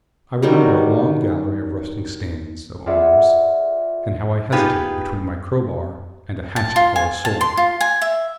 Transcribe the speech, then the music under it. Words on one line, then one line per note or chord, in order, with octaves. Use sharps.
I remember a long gallery of rusting stands of arms, and how I hesitated between my crowbar and a hatchet or a sword.
D#3 F#3 G3
F4 G#4 B4 D5 E5 F#5
B3 D#4 F4 G4 G#4 B4
A5
F4
G#5
A5
C6
F4
G#5
E5